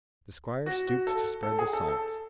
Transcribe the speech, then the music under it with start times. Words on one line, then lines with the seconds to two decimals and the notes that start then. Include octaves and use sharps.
The squire stooped to spread the salt.
0.66 F#4
0.87 F#4
1.07 A4
1.43 A4
1.59 G#4
1.73 A4
1.88 A4